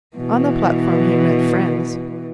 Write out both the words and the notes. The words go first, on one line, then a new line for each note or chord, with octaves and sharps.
On the platform he met friends.
B2 E3